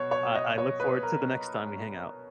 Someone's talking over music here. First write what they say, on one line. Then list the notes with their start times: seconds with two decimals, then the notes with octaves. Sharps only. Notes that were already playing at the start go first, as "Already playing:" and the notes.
I I look forward to the next time we hang out.
Already playing: B2 C#5
0.11 C#5
0.35 D#5
0.58 C#5
0.80 B4
1.03 A#4